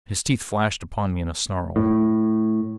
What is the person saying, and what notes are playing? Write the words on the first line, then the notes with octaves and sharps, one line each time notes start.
His teeth flashed upon me in a snarl.
A2